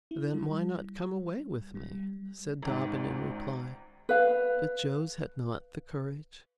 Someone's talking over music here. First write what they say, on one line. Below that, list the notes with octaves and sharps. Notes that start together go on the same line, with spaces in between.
"Then, why not come away with me?" said Dobbin in reply; but Jos had not the courage.
E4
G3
G3
G#1 C#2 G#2
B4 F5